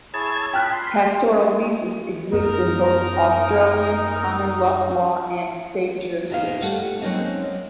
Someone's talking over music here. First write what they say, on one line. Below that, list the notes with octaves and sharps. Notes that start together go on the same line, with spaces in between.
Pastoral leases exist in both Australian commonwealth law and state jurisdictions.
E4 G#4 C#5 A5 E6 G#6
G5 A5 B5 F6 F#6
C6
F#2 B3 D#4 A#4
D#2 A#2 D#3 A#3 B3 F5
G3 A3 F#5
F#3 G#3 A#3 C4 C#4 D#4